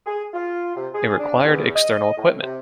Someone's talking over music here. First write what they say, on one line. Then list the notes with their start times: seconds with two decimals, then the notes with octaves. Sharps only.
It required external equipment.
0.06 G#4
0.33 F4
0.76 C3
0.93 G#4
1.19 D4
1.44 E2
1.74 D#5
2.17 A2
2.43 C3